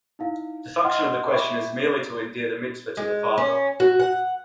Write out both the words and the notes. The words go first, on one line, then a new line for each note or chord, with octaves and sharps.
The function of the question is merely to endear the mitzvah to the father.
D#4 E4 F5
D#5 F#5 G5 C6 D#6 F6
E5 G5 B5 C#6 D6
G#3
C#4
F#4
F#5